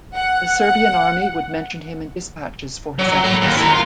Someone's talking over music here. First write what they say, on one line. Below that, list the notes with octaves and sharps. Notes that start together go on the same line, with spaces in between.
The Serbian Army would mention him in dispatches for his efforts.
F#5
F#5
F#3
A4 B5
D#2
E4 A#5
F4